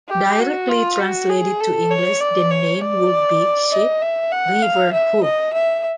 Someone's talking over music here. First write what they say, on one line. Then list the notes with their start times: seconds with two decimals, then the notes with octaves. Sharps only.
Directly translated to English, the name would be 'Sheep-river-hook'.
0.08 G4
0.39 F#4
0.69 F4
0.99 F#4
1.29 G#4
1.61 A4
1.91 C#5
2.20 D5
2.51 C#5
2.82 D5
3.71 D#5
4.02 E5
4.32 F#5
4.62 F5
4.93 E5
5.23 D#5
5.53 E5